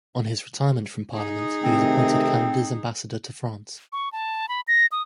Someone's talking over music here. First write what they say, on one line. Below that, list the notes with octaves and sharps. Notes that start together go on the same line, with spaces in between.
On his retirement from Parliament, he was appointed Canada's Ambassador to France.
D#4 G#4
C3 D#3 A3 C4
C#6
A5
B5
A#6
D#6